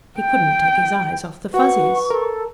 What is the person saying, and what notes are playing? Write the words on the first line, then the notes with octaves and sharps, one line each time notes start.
He couldn't take his eyes off the Fuzzies.
G5
F#4 B4 F#5 C#6
A4 A#4